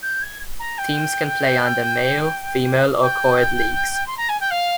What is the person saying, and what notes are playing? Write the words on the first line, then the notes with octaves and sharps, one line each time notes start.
Teams can play under male, female, or coed leagues.
G6
G#6
A#5
G5
G5
C6
A#5
G#5
G5
F5